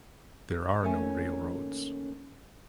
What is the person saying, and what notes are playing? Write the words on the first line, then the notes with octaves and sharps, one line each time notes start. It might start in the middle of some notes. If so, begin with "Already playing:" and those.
There are no railroads.
D#2 A3 C#4 C#5 G#5